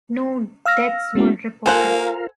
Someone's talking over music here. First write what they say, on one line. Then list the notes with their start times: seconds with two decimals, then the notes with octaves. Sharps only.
No deaths were reported.
0.65 F5 E6 F6 A#6
1.15 G#3 B3 C#4 E4 F#4
1.66 A#3 F4 A4 A#4 C5 F5 F#5 G#5